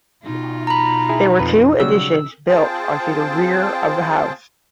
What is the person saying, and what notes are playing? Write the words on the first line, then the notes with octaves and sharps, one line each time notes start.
There were two additions built onto the rear of the house.
B2 D#4 F4
A#5 B5
E4 G#4
F2 B4
C#3 F#3 G3 E6
C4 F4 G#4 C5 G5 A5